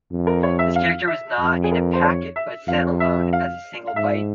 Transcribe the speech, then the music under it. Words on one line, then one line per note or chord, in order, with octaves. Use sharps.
This character was not in a packet, but sent alone as a single byte.
F2
A#4
C#5
E5
F5
E5
F2
G#4
A#4
C5
C#5
E5
F2 F5
E5
F5
F5
G#2 E5